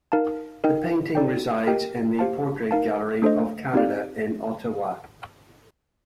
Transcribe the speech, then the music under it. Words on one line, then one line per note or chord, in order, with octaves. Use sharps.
The painting resides in the Portrait Gallery of Canada in Ottawa.
D#4 A#4 F5 A5
D#4 A#4 D#5 G5
D#4 A4 D5 G5
G4 A#4 D#5 G5
G4 C5 F5 A5
D#4 A#4 F5 A5
A3 D4 A4 C5 D#5
C4 D#4 G4 D5 F5